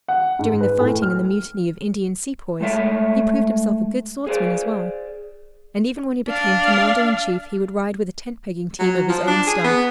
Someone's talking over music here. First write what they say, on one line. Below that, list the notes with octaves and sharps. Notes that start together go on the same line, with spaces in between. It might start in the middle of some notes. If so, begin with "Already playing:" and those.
During the fighting in the mutiny of Indian sepoys, he proved himself a good swordsman as well; and even when he became Commander-in-chief, he would ride with a tent-pegging team of his own staff.
F#5
G#2
B4
A2
F6
A2 G#3 A3 C#5 E5
G#4 C5 D5
D4 F5
F#3
F3
D4
G#4
B3